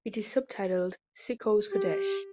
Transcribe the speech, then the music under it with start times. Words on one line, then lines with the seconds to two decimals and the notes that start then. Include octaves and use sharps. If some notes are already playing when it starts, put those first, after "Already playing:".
It is subtitled "Sichos Kodesh".
1.72 G4